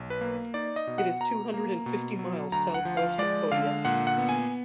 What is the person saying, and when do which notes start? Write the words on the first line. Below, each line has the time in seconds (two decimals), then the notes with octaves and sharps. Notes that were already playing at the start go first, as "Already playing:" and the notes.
It is two hundred and fifty miles southwest of Kodiak.
Already playing: B1
0.10 B4
0.21 A#3
0.54 D#4 D5
0.76 D#5
0.87 B2
0.98 F#5
1.20 B2 A#5
1.54 A#3
1.86 B2
2.19 F#3
2.52 D2 A#5
2.74 F#5
2.85 F3
2.97 F5
3.18 G#3 D5
3.52 D3 F5
3.85 A#2 F#5
4.07 F#5
4.18 B3
4.29 G#5